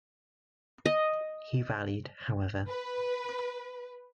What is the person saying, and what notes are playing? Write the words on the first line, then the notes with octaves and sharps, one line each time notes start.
He rallied, however.
D#5
B4